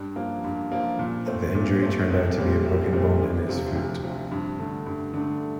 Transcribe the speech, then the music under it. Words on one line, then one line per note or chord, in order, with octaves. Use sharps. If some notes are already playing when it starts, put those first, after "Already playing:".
The injury turned out to be a broken bone in his foot.
Already playing: G2
F3 A#3
G2
F3 A#3
A#2
A3 C4
A#2
A3 C4
C2
A#2 G3 C4
C2
A#2 G3 C4
D2
C3 F3
D2
C3 F3
G2
D3 A3
G2
D3 A3